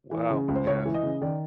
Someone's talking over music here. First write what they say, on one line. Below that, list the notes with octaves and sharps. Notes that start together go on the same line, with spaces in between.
Well, yeah,
E3
C#3
C#2
C5
C#2 C#5
E3
D#5
C#3
D#3 D5